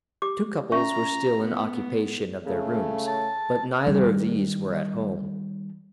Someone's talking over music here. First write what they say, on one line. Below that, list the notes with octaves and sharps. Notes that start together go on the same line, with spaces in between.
Two couples were still in occupation of their rooms, but neither of these were at home.
G4 D6
C#4 E5 A#5 C#6
B3
C#3 A3
A5
D#3 G3